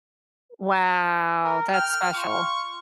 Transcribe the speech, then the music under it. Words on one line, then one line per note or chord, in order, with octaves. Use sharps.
Wow, that's special.
A#4
G5 F6
F4 C#6